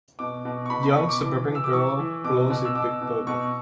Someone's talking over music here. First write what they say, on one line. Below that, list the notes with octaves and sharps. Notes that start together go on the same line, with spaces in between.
Young, suburban girl blows a big bubble.
B2 D6
B2
C#6
B2 B5
B5
B2 C#6
D6
E3 D6
E3
E6
D6
E3 C#6
E3
B2 D6
B2
E6
B2 D6
B2
B2 C#6